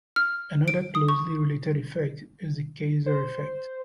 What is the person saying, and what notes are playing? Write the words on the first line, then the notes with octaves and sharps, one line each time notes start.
Another, closely related effect is the Kaiser effect.
F6
D7
D#6
C#6
C5